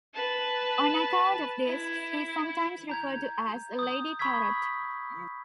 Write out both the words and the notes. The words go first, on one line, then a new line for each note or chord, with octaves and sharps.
On account of this, she is sometimes referred to as"Lady Tarot".
B4 A5
E4
A#5 G6 G#6
D#6 G6
B5 C#6 E6 G#6 B6